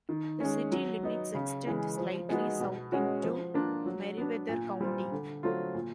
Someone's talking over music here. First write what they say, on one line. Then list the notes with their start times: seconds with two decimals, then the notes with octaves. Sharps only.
The city limits extend slightly south into Meriwether County.
0.09 D#3
0.40 G#3 C#4
0.72 F#3
1.03 B3 D#4
1.34 C#3
1.66 E3 G#3
1.97 F3
2.29 G#3 B3 D#4 F#4
2.60 B2
2.92 G#3 C#4 F#4
3.23 F3
3.54 A#3 D4 F4
3.86 F#3
4.17 B3 D4
4.49 A#2
4.81 G3 C4 F4
5.12 D3
5.43 F#3 A3 C4 F4
5.75 A#2